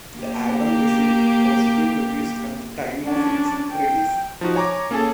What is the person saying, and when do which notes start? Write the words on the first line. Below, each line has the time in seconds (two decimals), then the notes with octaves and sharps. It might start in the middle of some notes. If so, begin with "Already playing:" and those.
The album received positive reviews at the time of its release.
0.18 A#3 G4
3.05 C#4 D4
3.71 G5
4.41 F3 D#4 F#4
4.55 C#5 G#5 A#5 C#6 D6
4.91 A#3 C#4 G#4 A4 G#5 A5